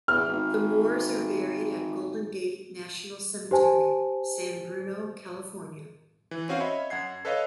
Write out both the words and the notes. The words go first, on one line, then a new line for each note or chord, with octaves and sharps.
The Moores are buried at Golden Gate National Cemetery, San Bruno, California.
E2 F6
G#1
G4 C5 G#5 A5
E3
C4 C#4 F#4 C5 F5
C#5 D#5 E5 B5
F#2 F#5 G#6 C7
A4 B4 C#5 D#5 F5